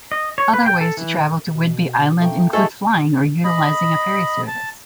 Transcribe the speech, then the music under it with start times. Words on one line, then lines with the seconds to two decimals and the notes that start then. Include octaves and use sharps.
Other ways to travel to Whidbey Island include flying or utilizing a ferry service.
0.12 D#5
0.38 C#5
0.53 B4
0.66 G5
0.81 A4
0.97 E3
1.54 B2
2.21 A3 A#3 G5
2.53 G#3 A3 F#4 G#4 A4 C5
3.44 D#5 B5
4.48 A5